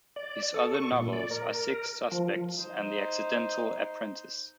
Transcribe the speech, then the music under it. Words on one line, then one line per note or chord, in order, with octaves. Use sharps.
His other novels are "Six Suspects" and "The Accidental Apprentice".
D5
A4
C#6
A#2
D5
A#4
F3
D#4 C5